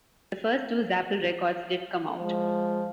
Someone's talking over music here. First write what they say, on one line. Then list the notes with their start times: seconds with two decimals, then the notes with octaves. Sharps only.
The first two Zapple records did come out.
2.16 F3 G#3